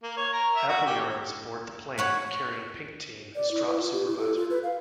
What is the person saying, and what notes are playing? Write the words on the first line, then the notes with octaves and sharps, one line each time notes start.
Appleyard was aboard the plane carrying 'Pink' team as drop supervisor.
A#3
C#5
A#4
E5
F#4
G4
C#5 F#5 B5 C#6
D5
E4
B4
F4
G4
E4
A4
F4
B4
F5